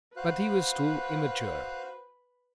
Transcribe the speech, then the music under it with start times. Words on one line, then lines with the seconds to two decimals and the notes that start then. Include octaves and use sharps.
But he was still immature.
0.16 F#4 B4 C5 F5 F#6